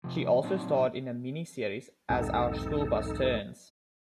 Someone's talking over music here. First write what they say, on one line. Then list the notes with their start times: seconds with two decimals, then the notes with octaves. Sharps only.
She also starred in the miniseries "As Our Schoolbus Turns".
0.04 C3 F3
0.43 A#2 F#3 C4 D4 D#4
2.10 B1 E2 G#2 C3 D#4 A4